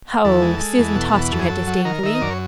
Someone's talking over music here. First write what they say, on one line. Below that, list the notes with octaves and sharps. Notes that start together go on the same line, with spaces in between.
"Ho!" Susan tossed her head disdainfully.
E2 A4
G#3
G#3
E2
B2
E2
F#2 A4
G#4
F#2 A4
F#3
D#3 A#4
D#3 E5
D#5
F#2 D5
C#5